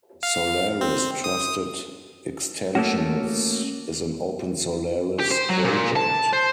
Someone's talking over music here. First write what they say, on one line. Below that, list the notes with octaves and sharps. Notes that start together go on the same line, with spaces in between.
Solaris Trusted Extensions is an OpenSolaris project.
F5
C4
D#6
A3 A#3 C#4 F#4
G4
C5
F#3
A#2
A5
C5